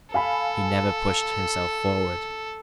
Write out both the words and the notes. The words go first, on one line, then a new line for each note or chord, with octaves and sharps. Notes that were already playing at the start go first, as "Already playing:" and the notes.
He never pushed himself forward.
A4 F5 G#5 B5